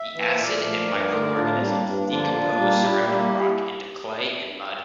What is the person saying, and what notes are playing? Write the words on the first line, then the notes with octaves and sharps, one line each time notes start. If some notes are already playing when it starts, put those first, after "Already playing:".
The acid and microorganisms decompose surrounding rock into clay and mud.
Already playing: E5
E3 A#3
C5
A#2 A#4 D5
F3 A3
G2
D3 A3
A2 D4 F4
C4
G3 A#3 D4
G2 D4
D3 F3 A#3 D4 F4
A#2
G3 A#3
A#2 E4 G4
G3 A#3